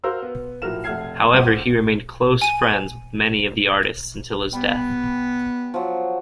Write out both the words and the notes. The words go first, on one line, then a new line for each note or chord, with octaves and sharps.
However, he remained close friends with many of the artists until his death.
F#4 A#4 C5 F5 C6 E6
B3
A2 F3 F#4 A#4 F6 E7
F1 A3 F#5 F6 G#6 C7
C#2 C5 F#5 D6 D#7
G#5 D#7
G3 B3
F3 F#3